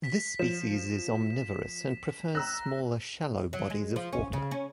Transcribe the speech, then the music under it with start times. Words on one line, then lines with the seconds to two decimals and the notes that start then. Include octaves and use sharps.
This species is omnivorous and prefers smaller shallow bodies of water.
0.04 B6
0.39 F3 E7
2.35 A#5 E6 F#6 A#6
3.53 F#3
3.70 G#3
3.96 F3
4.13 C#4
4.33 C#3
4.51 C#4